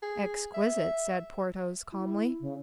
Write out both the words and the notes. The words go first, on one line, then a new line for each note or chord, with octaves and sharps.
"Exquisite," said Porthos, calmly.
G#4
E5
E4
C#3